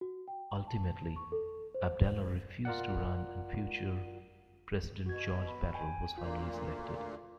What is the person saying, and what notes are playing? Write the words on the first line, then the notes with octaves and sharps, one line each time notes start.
Ultimately, Abdala refused to run and future President Jorge Batlle was finally selected.
F#4
G5
A5
C#6
A4
C5
F4 A#4 D5 F#5
B2 F#4 G#6
B5
G5 G#5
D2 A#2 A#3 F4